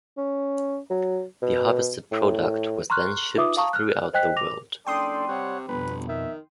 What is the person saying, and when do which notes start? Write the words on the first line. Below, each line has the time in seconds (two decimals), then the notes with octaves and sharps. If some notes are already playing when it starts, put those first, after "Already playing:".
The harvested product was then shipped throughout the world.
0.18 C#4
0.90 F#3
1.42 B2
2.12 A2
2.90 A#5 C6 C#6 F6 F#6
3.36 D#4 F4 B4 E5 D6 D#6
3.57 F5 A5 A#5 C#6 D#6
3.73 F6 F#6
4.14 C5 D#5 G5 F#6 B6
4.36 D6 A#6 F7
4.87 F#1 D4 A4 D5 G5 C6 D#6
5.28 C3 G3 C#5 F#5
5.68 G1 F2 B2 B4
6.09 D#3 E5